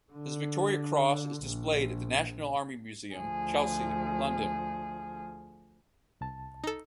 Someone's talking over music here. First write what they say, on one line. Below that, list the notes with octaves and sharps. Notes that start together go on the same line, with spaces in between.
His Victoria Cross is displayed at the National Army Museum, Chelsea, London.
D3
A#1
D2 F3 G#4
C2 A5
D#4 A4